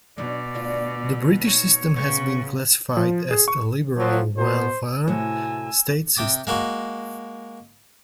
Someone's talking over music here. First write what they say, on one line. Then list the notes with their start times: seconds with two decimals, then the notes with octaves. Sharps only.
The British system has been classified as a liberal welfare state system.
0.18 B2 F#3 D4 D#4 D5
0.54 D2 D4 F4
1.46 D#4 C#5
1.96 C#3 B3 C#4 C#5 C#6
2.97 F3
3.31 G#4
3.48 C#6
3.97 F3 F#3
4.37 B2 C5
5.08 A2 C3 F#4 G#5 E6
6.17 C3 G5 D6 D#6
6.47 G#3 A#3 F#4